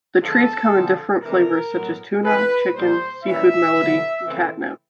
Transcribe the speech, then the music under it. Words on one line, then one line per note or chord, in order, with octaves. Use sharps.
The treats come in different flavors such as Tuna, Chicken, Seafood Medley, and Catnip.
D3 F3 G#3 B3 D4 A4
D3 F3 G#3 C4
C3 E3 A3 D4 A#4
A2 F#3 B3
F3 A3 C4 E4 B4
A#2 G3 A#3 D#4 C5
E3 G3 A#3 C#4 E4 E5
D3 F#3 B3 E4
C#3 E3 A3 C4 E4